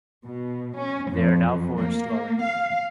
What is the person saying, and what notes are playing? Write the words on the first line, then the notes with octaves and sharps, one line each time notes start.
They are now forest-dwelling.
B2
C#4
F2
A#3
F5